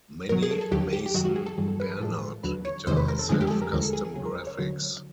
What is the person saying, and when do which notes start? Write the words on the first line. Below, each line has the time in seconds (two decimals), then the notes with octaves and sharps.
Many Mason Bernard guitars have custom graphics.
0.29 G2 D#3 F#3 A#4
0.43 G#4
0.51 A4
0.61 A4
0.71 D#2 D3 F#3 G4
0.93 G4
1.06 G4
1.14 F#2 D#3 F#3 F#4
1.25 F#4
1.36 G#4
1.46 A4
1.58 G2 E3 G3 G#4
1.68 A4
1.80 B4
1.89 A#4
2.00 A2 F3 G#3 A4
2.43 D#2 D3 F#3 B4
2.65 C#5
2.87 E2 C3 D#3 G#3 C5
2.97 B4
3.08 A#4
3.19 A4
3.29 F2 D3 F3 G#3 G#4
3.41 G4
3.47 G#4
3.51 A4
3.62 A#4
3.72 D#2 D3 F3 G#3 A#4
3.83 A4
3.93 G#4
4.05 G#4
4.15 D#2 C#3 F#3 G#4
4.25 A#4
4.37 C5
4.47 C#5
4.59 D#2 D3 F#3